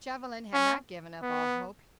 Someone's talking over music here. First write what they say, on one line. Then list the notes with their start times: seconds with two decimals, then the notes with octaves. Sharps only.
Chauvelin had not given up all hope.
0.54 C#4
1.23 B3